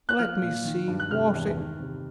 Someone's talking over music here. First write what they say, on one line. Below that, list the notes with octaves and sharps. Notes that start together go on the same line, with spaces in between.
Let me see--was it?
F#6
F3 F6
A#2
D#3
G2
F#6
C3 F6
E2
D#3
C3